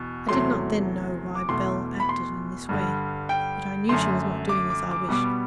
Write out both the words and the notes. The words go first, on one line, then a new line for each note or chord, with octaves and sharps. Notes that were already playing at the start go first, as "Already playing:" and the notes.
I did not then know why Belle acted in this way; but I knew she was not doing as I wished.
Already playing: E2 B2
E2 C3 F#3 A3 C6
D6
E2 B2 A3 C6
B5
C6
G2 D3 G3
G5
F#2 D3 A3 C6
D6
D6
D6
B2 G3 B3 D6